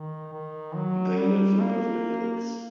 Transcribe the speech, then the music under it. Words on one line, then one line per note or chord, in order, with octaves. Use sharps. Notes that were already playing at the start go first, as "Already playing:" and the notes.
They live in Beverly Hills.
Already playing: D#3
D#3
F#3
G3
A#3